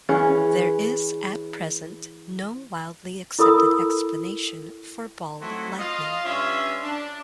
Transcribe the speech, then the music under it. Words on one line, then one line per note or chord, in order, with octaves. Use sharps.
There is at present no widely accepted explanation for ball lightning.
E3 C#4 G#4
E4 A4 A#4 B5 D#6 E6
F#3 A3 C4 D#4 E4 F#4
F4 D#5 F5
G2 C#4 F4 C#5 E5
D4